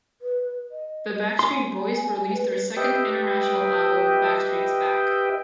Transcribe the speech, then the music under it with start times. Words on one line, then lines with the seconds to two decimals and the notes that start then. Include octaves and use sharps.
The Backstreet Boys released their second international album Backstreet's Back.
0.22 B4
0.71 D#5
1.39 G#5 C6
2.33 B4
2.77 G4 B4 D#5 E5 G5